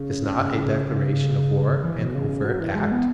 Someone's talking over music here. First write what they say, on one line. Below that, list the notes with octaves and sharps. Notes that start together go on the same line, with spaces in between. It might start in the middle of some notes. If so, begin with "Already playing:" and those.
Is not a declaration of war an overt act?
Already playing: C#3
C#3
E3
B2
C#3
C#3
F#3
E3
G#3
B3